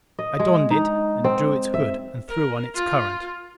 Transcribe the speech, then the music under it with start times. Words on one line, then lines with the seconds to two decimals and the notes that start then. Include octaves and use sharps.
I donned it and drew its hood, and threw on its current.
0.19 D#5
0.39 G#3
0.71 D#4
1.24 C4
1.74 E5
2.28 A#4
2.74 F4